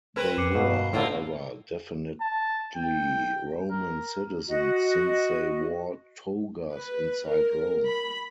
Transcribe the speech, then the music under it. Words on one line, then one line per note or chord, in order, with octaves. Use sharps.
They were, however, definitely Roman citizens, since they wore togas inside Rome.
C4 A#4 B4
F2 D6 C7 C#7
G2 B2 F5 C7
A2 D3 A#3 C4 F4
A5
G5
A#4
F#4 D#5
B4
A#4
B5